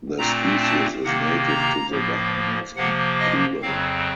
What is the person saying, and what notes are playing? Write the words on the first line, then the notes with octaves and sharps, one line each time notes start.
The species is native to the Bahamas and Cuba.
A#2 A3 C4 A#5
A5
C3 D#3 A#3 F#5
A#5
A2 F3 A#3
C3 F3 A#3 F#5
D#5
F2 C#3 F#3 C4 F5